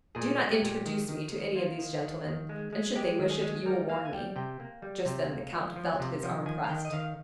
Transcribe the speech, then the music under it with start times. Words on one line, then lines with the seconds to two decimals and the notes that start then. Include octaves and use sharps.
"Do not introduce me to any of these gentlemen; and should they wish it, you will warn me." Just then the count felt his arm pressed.
0.15 A#2 G#4
0.38 G#3
0.50 G4
0.62 A#2
0.86 D#3
1.09 D#3
1.32 D#3
1.55 A#3 F4
1.79 D#3
2.02 D#3
2.26 D#3
2.49 G#3
2.73 G#3
2.95 G#3 G4
3.19 D#3
3.31 G#4
3.42 G#3
3.66 G3 A#4
3.89 A#3 F5
4.05 G#5
4.13 G3 G5
4.36 C3 G5
4.60 A#3
4.82 G3
5.06 C3 G5
5.29 A#3
5.53 F3
5.76 F3
6.00 C3
6.23 F3
6.46 D#3 G#5
6.64 F5
6.69 D#3 G5
6.85 D#5
6.92 D#3 F5